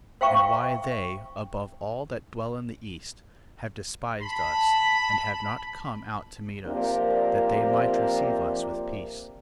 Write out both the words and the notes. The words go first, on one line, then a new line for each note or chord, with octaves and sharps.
And why they above all that dwell in the east, have despised us, and have not come out to meet us, that they might receive us with peace?
C5 E5 F5 G5 A#5 C#6
A5 B5
C3 F3 A#3 C4 D4 A#4